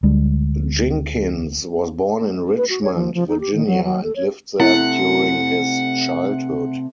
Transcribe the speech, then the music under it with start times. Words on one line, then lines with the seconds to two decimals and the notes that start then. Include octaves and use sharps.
Jinkins was born in Richmond, Virginia, and lived there during his childhood.
0.03 D2 G3 G#3 D4
2.57 B4
2.70 F#4
2.83 C#5
2.95 F3
3.14 F3
3.29 D#4
3.40 G4
3.54 D#3
3.67 F#3
3.85 F#3
4.04 A4
4.16 C#5
4.60 C3 A3 E4 F#5